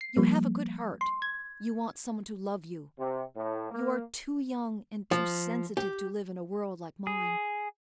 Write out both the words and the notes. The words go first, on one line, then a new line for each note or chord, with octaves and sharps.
You have a good heart, you want some one to love you, you are too young and too sensitive to live in a world like mine.
C7
F3 G3 A#3
C6
G#6
C3
A2
A#3
F3
G4
G#4